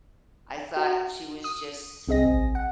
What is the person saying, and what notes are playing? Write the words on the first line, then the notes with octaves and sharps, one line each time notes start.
I thought she was just
F#4
D#6
C2 C4 G#4 D#5 A#6
A1
F#5